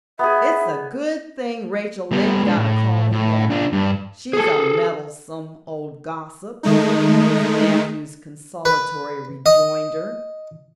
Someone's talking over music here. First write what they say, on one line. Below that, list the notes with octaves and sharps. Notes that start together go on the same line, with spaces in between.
"It's a good thing Rachel Lynde got a calling down; she's a meddlesome old gossip," was Matthew's consolatory rejoinder.
B3 G#4 E5
G3 B3
G#3 D4
A2
A2
D4 F4
G2
G#4 A4
D#3 G#3 A3 D#4
B4
D#5